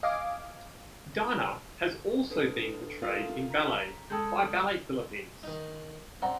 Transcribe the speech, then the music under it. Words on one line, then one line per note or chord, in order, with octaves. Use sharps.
Darna has also been portrayed in ballet by Ballet Philippines.
D#5 F5 G#5 D6
D4 A4 B4
A#3 F4 A4 A#4
A#5 B6
G#3 A4 D#6 G6
D#3 D#4
C4 C5 D5 F#5 A#5